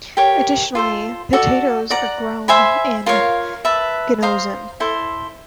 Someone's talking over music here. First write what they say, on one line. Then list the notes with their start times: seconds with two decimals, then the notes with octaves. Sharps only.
Additionally potatoes are grown in Ginozan.
0.17 G4 A#4 C#5
0.75 F4 A4 C5
1.33 F#4 A4 D5
1.90 D5 F#5 A#5
2.48 C5 E5 G#5 B5
3.06 F4 A#4 C#5 F5
3.65 B4 E5 A5
4.22 C5 F5 A#5 D#6
4.80 E4 A4 C5